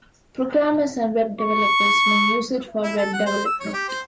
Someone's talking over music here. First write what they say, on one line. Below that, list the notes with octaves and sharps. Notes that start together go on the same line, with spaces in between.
Programmers and web developers may use it for web development.
C#6
E4
A4
F#5
C5
E6
C#5
G4
C5